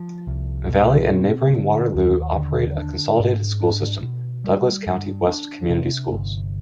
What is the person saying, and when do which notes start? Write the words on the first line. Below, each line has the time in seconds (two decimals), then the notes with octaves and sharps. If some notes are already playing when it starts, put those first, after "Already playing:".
Valley and neighboring Waterloo operate a consolidated school system, Douglas County West Community Schools.
Already playing: F3
0.27 C2
0.69 B2
1.10 C4
1.53 D3
1.95 D#2
2.36 D3
2.77 D4
3.20 G#2
3.61 D4
4.03 B2
4.44 G3
4.87 G2
5.28 D4
5.69 C3
6.12 G1